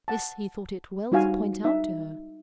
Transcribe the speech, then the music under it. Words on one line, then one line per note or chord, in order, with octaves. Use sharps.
This he thought it well to point out to her.
F#5 A5
G3 D#4 F4 F#4 F5 G#5
D#4 E5